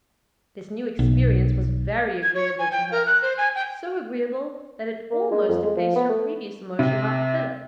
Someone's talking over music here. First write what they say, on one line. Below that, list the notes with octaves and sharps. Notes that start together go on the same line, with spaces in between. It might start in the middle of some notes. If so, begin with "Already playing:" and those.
This new experience was very agreeable to her, so agreeable that it almost effaced her previous emotion about Philip.
B1
G#6
C#5
G#5
G5
A#4
F#6
C5
G#5
G5
A#3
G#3
F2
G#3
F3
B3
A3
C3